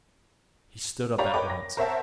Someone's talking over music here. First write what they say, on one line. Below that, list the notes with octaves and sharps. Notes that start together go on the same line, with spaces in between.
He stood up at once.
G4 C#5 D5 F5 A#5 B5
A#4 B4 C#5 D#5 G5 D6
A#6
A#4 C5 C#5 E5 F#5 A5